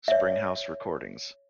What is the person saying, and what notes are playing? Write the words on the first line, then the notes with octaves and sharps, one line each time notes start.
Spring House Recordings.
C#5 E5